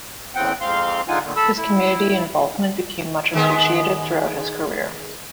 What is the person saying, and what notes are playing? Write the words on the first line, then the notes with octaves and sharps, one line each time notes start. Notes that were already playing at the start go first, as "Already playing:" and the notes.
His community involvement became much appreciated throughout his career.
E2 A2 C#3 C4 F#5 G5
F2 G#2 C4 F5 C6
D3 G#3 D#4 F4 F#5 G#5
A#2 D3 D#3
A4 B5 E6
E4
D#3 G#3 B3